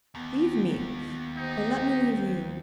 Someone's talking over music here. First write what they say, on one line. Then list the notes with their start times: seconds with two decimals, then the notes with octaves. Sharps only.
Leave me! or let me leave you.
0.15 D#2 B3
1.37 D#4 G4 C5